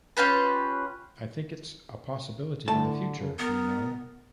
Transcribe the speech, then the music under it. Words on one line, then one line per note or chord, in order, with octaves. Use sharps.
I think it's a possibility in the future, you know.
C#4 F4 G4 B4
A2 D3 A5
C#3
B3 A#4